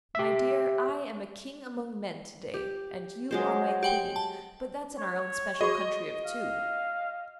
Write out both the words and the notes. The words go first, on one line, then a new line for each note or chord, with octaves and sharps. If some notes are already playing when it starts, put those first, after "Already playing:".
"My dear, I am a king among men to-day, and you are my queen, but that's in our own special country of two."
G4 E5
G4
F#3 G#3 C5
G4 F#5 G5
A5
C#5
F#4 G#4 D#5 C#6
F5